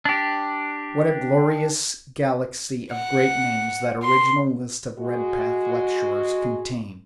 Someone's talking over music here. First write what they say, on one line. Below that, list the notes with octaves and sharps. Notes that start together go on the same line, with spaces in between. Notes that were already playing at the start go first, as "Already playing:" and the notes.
What a glorious galaxy of great names that original list of Redpath lecturers contained!
D4 G4
F#5
C6
G#3 F#4